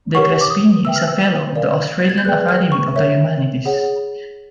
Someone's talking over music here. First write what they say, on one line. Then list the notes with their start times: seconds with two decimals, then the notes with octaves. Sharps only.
De Crespigny is a Fellow of the Australian Academy of the Humanities.
0.15 G4 A#4 C#5 F#5 C#6
0.41 D6
0.50 D#6
0.85 B4 E5 G5 E6
0.96 F6
1.08 E6
1.55 A#4 D5 F5
2.02 A6
2.10 G#6
2.18 G6
2.25 G#4 B4 D5 G5 F#6
2.49 F6
2.72 C#6
2.96 A#4 C#5 E5
3.65 G#4 C#5 F#5